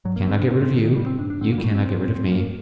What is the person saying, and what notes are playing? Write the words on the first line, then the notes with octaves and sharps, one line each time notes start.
I cannot get rid of you; you cannot get rid of me.
G2 F#3
A#3
D3 C4
D4
A2 C4
C4
A2 D#3
D#3
G2 G3
C4
G2 D4
D4
D3 C4
A#3
G3
F#2 A3
D4
C4
F#2 C4
C4
F#2
C4
A2 A#3